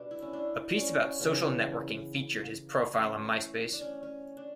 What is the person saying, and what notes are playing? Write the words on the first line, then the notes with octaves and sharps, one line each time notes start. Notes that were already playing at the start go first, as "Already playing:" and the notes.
A piece about social networking featured his profile on MySpace.
Already playing: B2 G3 B3 D4
E4
C#4
D4
C#4
C#3 E3 B3 C#4
E3 A3 C#4
D4
C#4
C#4
D4